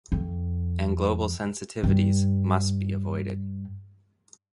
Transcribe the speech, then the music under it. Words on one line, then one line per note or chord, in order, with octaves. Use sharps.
And global sensitivities must be avoided.
F2
G2